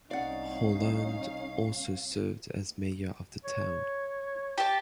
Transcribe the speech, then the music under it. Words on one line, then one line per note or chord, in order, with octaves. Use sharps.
Hollande also served as mayor of the town.
C2 C#4 D#4 D5 F5 F#5
C#5
G4 A5